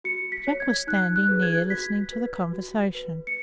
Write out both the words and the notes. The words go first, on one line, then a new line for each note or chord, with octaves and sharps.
Jack was standing near listening to the conversation.
F#4 C#7
B6
C#5
G#6
D#4 F#6
F#6
G#4 B4
G#6
F#4 B6
B4
F#4
B4
C#7